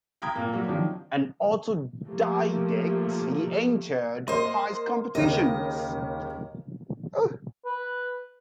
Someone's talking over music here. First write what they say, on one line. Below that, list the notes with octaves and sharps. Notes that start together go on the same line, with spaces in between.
An autodidact, he entered prize competitions.
G5 A#5 B5 D#6 G#6
A#2 A#3
F#3 G3 A#3 F#4 G4
D#3 F3 F#3 D4 G4
F3 A3 A#3 G4
A#3 C5 D#5 C6
D#2 C#3 D#5
B4